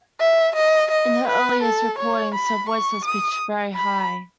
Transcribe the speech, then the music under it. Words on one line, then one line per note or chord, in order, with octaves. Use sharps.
In her earliest recordings her voice was pitched very high.
E5
D#5
D#5
B4
A4
C#5
B5
C#6
D#6
B5